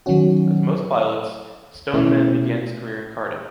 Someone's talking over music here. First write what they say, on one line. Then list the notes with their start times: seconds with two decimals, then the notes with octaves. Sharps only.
As most pilots, Stoneman began his career in karting.
0.06 D#3 F#3 C#4 F#4
1.93 B2 A3 C#4 E4